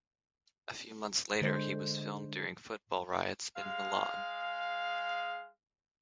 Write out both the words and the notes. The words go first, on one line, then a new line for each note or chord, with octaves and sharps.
A few months later he was filmed during football riots in Milan.
D3 G#3 C5
G#3 G#4 F5